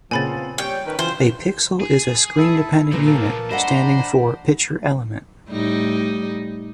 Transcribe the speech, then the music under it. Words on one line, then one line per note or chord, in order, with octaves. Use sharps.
A pixel is a screen-dependent unit, standing for 'picture element'.
A#2 C#3 F3 B3 C4 G#5 B5 A6
G3 C#5 G5
D#3 C#4 B4
C#3 E3 F#3 F4 C5
G#4
E4 A4
A#2 C#3 F3 A#4 B4
A#3 A4
D4 C5 D5 D#5 F#5 A#5 B5
A2 G3 D#4